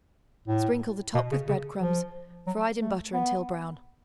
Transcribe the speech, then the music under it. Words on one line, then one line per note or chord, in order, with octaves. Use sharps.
Sprinkle the top with bread-crumbs fried in butter until brown.
A2
B2
C#3
C#3
F3
F#3
A3
B3